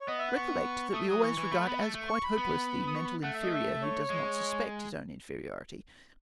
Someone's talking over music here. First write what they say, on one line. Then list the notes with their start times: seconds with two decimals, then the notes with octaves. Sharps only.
Recollect that we always regard as quite hopeless the mental inferior who does not suspect his own inferiority.
0.01 C#5
0.08 B3 D#5
0.18 E5
0.28 F#5
0.37 C#6
0.94 A3 D#6
1.08 F#3 D#6
1.23 E3 C#6
1.38 E3
1.52 A3 B5
1.66 B3 B5
1.81 A3
1.95 A3
2.08 C#6
2.23 B5
2.38 B3
2.88 D#6
2.95 C#6
3.05 B5
3.23 A3 F#5
3.33 E5
3.43 D#5
3.53 E5
3.82 C#5
4.10 G#3